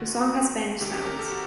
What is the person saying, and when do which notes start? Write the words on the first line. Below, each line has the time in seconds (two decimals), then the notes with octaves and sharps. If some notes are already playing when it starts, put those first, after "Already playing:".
The song has Spanish sounds.
Already playing: D2 D3 F#4
0.81 C2 C3 D#3 G4
0.94 G4
1.06 A#4
1.19 A4
1.31 F#4